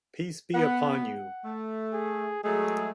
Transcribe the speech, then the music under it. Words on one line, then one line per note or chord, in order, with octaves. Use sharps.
Peace be upon you.
B3 F#5
F#5
A3
G#4
F#3 G#3 A3 G#4